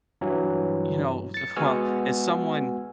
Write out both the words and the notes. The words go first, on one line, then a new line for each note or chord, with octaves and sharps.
you know, who's well, as someone
G2 E3 F#3
A6 C#7
G#3 B3 F#4 G#5 E6 F6